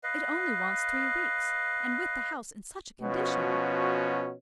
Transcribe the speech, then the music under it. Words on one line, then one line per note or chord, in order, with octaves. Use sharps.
"It only wants three weeks;--and with the house in such a condition!"
B4 D#5 F5
B2 F3 C#4 F#4